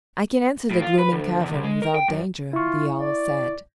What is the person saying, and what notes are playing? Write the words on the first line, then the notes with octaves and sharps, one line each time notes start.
"I can enter the gloomy cavern without danger," the owl said.
A2
F4
B4
D2
E2
C2
G#3
A#4
G5
F#2
E4 F4 C#6
D5